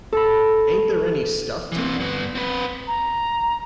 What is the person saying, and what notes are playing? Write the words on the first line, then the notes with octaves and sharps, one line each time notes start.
Ain't there any stuff to you?
A4 B5
E3 C4
G2 B3
C4 B4
A#5